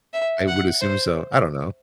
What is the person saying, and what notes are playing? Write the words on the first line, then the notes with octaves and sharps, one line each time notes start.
I would assume so, I don't know.
E5
F#5
C5